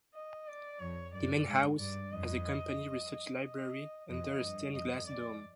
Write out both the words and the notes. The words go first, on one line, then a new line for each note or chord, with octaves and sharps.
The Main House has a company research library under a stained-glass dome.
D#5
D5
F2 C#5
F#2 D5
G#2
G2 D5
F2 D#5
D#5
F2 D#5
G2
F2 D#5
D5